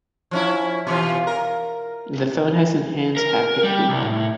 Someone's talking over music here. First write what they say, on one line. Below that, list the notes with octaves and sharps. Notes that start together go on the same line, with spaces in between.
The phone has enhanced haptic feedback.
F3 C#4 E4
B2 E3 F4
A#4
A#4
G3
C2
A2